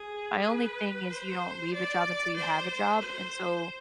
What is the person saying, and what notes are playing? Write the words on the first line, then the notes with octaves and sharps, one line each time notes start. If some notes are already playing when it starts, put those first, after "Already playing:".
My only thing is you don't leave a job until you have a job, and so
Already playing: G#4
B4
C5
D5
C5
C5